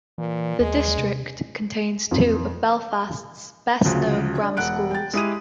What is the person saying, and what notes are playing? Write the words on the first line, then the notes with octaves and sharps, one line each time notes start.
The district contains two of Belfast's best known grammar schools.
A#2 E3
D#2 G#3
C3
F2
D2 C#3 F3 F#3
D4
E1 F#5 F#6 D7
G5 A6
G#3 E4 G4 D#6 D#7